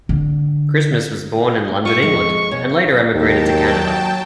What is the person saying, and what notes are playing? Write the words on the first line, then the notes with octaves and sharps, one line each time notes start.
Christmas was born in London, England, and later emigrated to Canada.
D3
F4 E5 C#6
F2 G#3
B2 C#5
D#2 F#3 G5 A5